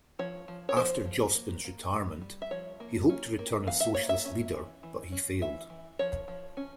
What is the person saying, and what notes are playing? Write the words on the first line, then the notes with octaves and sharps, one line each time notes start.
After Jospin's retirement, he hoped to return as Socialist leader but he failed.
F3 C#5
F3
C#5
F3 C5
F3
A#3
A#3
G3
G3
E5
F3 C#5
A#3
C#4
A#3
E3 F5
E5
A#3 C#5
E5
C#4
E3
E3
C#4
E3 E5
E3
F3 C#5
F3
C#4